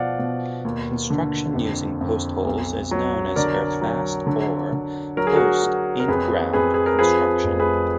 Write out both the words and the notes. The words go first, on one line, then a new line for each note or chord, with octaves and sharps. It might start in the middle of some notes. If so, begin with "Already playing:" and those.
Construction using postholes is known as earthfast or post in ground construction.
Already playing: B2 F3 D5 F5 F#5
B2
D#2
D3
F2
F2
B1
F#3
D3 A#4 D5
F#3
D3
D3
F#3 A#4
G#4
F#4 A#4
F#3
A#4
F2 G#4 B4
F2 G#4 B4
G#4
A#4
F3 G#4 B4
F1
G#4 B4